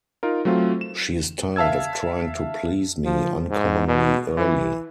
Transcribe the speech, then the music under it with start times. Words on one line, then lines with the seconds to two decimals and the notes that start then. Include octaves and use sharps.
She is tired of trying to please me uncommonly early.
0.23 D#4 F4 A#4
0.45 F#3 A3 C4 F4
0.81 E7
1.56 E5 F5 A5 E6 G#6
3.05 F3
3.50 G#2
3.87 B2
4.37 E3